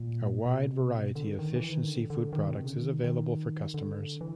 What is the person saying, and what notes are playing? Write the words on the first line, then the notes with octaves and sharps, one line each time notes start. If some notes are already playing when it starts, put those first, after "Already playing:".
A wide variety of fish and seafood products is available for customers.
Already playing: A#2
B2
C3
B2
D3
D#3
E3
D#3
D3
D3
D#3
B2
C3
C#3
D3
D#3
D#3
D3
E3